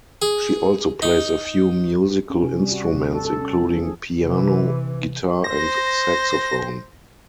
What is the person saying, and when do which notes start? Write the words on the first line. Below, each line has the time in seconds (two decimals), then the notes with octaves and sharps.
She also plays a few musical instruments including piano, guitar and saxophone.
0.22 G#4
1.02 D#4
2.30 C#4
2.43 C3
2.60 G3
2.72 F#4
2.94 C3
3.13 A4
3.25 A4
3.41 C#4
3.63 F3
3.78 G#4
4.21 C3 E3
5.44 C5 A#6